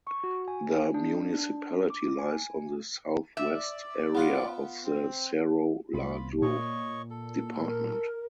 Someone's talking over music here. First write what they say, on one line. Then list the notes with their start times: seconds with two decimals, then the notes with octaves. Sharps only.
The municipality lies on the southwest area of the Cerro Largo Department.
0.07 C#6
0.24 F#4
0.48 G#5
0.94 D4
1.90 D6
2.19 G#5
3.37 D5 E5
4.15 B3 F4 F#5
4.84 C4
5.94 C2 F4 B5
6.42 A#2 C#5 D#5 C#6
7.10 A4
7.59 A#4